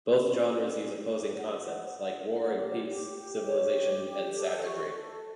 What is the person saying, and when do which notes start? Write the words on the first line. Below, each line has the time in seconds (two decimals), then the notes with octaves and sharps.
Both genres use opposing concepts like war and peace, civilization and savagery.
0.18 C#4
0.48 G4
0.78 G4
1.07 G4
1.37 F#5
1.67 F#5
1.98 F#5
2.27 F#5
2.56 G4
2.86 G4
3.16 G4
3.46 C#5
3.75 G4
4.05 G4
4.36 A4
4.65 C#6
4.95 A4